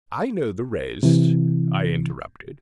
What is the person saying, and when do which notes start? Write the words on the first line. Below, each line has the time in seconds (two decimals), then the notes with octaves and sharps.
"I know the rest," I interrupted.
1.03 C3 E3